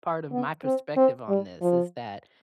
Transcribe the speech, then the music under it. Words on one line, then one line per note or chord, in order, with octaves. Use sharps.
part of my perspective on this is that,
B3
C4
C4
G3
F3